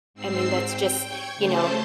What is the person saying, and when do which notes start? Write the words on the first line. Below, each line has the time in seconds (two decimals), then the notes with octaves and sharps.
I mean that's just, you know,
0.14 G#2 C4 E6 C7
0.58 G5
1.04 G5 C#6 G#6
1.36 C#3 A3 C5 A5 G6